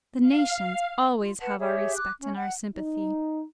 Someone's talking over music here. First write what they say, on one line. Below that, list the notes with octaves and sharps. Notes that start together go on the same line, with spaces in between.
The nations always have our respect and our sympathy.
F5
F4
B4 F#5 A5
G4 G#4 C#5 E5
D6 F#6
C#4
F#5
D#4